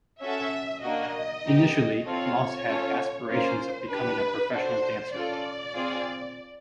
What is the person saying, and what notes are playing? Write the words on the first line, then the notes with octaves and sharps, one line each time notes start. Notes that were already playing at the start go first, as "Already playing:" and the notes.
Initially, Moss had aspirations of becoming a professional dancer.
C#4 F#4 A4 E5
A#3 D4 F#4 D#5
B3 D#4 G4
C4 F4 A4 C#5
C#4 F4 A4
A#3 C#4 F4 C5
D4 G4 B4
D4 F#4 A4 C5
C#4 F4 A4 D5
C4 F4 G#4